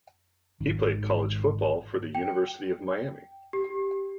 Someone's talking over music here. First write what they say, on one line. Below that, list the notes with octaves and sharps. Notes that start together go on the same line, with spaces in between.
He played college football for the University of Miami.
G#1 D#3
G5
G4